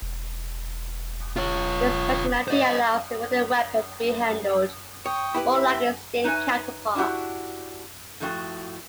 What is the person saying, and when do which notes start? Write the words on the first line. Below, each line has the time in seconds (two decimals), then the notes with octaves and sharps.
This functionality allows the wooden weapon to be handled more like its steel counterpart.
0.02 E1
1.36 F4 C#5
2.48 C5 D#5
5.06 C#5 G5 C#6 D#6
5.35 E4 G4 B4
5.56 E5
6.24 D#4 B4 C#5 E5 G#5
6.95 D4 E4 F#4 G4 F#5
8.20 A2 F3 A3 F#4 D#5 G5